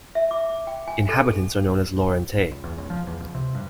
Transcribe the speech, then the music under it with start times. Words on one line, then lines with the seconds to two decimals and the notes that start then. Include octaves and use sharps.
Inhabitants are known as "Laurentais".
0.15 E5
0.31 D6
0.67 G5
0.88 G#5
1.09 A4
2.52 C#2
2.64 E2
2.78 C#2
2.90 F3
3.07 E2
3.20 C#2
3.35 C3
3.55 G2